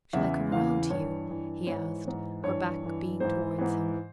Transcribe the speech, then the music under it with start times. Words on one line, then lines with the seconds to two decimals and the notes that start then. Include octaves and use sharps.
"Shall I come round to you?" he asked, her back being towards him.
0.13 E2 C#3 E3 E5
0.52 E2 C#3 E3 F5
0.90 G2 E3 C#5
1.29 G2 E3
1.67 G#2 E3 C#5
2.05 G#2 E3
2.44 G2 E3 C#5
2.82 G2 E3
3.20 G#2 E3 C5
3.58 G#2 E3